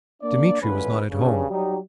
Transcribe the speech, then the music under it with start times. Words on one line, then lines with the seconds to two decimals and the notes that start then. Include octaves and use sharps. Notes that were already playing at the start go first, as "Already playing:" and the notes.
Dmitri was not at home.
0.22 A#3 D4 D5
0.61 G#1 C#2 G#2 D3 C#4 B4
1.11 G2 C#3
1.50 F#3 G3 D#4